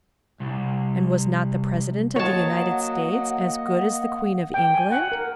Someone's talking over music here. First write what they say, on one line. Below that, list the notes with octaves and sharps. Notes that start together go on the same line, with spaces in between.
And was not the President of the United States as good as the Queen of England?
C2
F#3 A#3 C#5 D#5 F#5 A5
G5
G#5
F#5
A#4